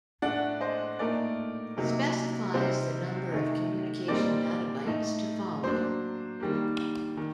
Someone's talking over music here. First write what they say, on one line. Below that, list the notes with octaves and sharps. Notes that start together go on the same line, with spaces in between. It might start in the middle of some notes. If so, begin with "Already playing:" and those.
Specifies the number of communication data bytes to follow.
A2 A3 D4 D5 F#5
C5 D#5
A#2 A3 D#4 A#4 D5
C3 F#3 A#3 D#4
C3 G3 C4 D#4 C5
C3 D#3 A3 D#4
A#2 G3 C4 D#4 A#4 D5
A2 A3 D#4
F#3 A#3 D4 C5
D#3 G3 A#3
D#3